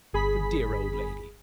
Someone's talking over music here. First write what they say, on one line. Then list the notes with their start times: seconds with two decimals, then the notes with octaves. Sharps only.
The dear old lady!
0.13 G1 G#4 B5 B6